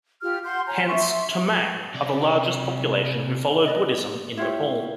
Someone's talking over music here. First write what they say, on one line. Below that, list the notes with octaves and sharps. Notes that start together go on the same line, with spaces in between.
Hence, Tamang are the largest population who follow Buddhism in Nepal.
F4 G4 F6
F#5 C6 G6
C#5 G#5 A#5
E5 C6 C#6
C3 D5
B4 D5 D#5
E4 F4 G4 C#5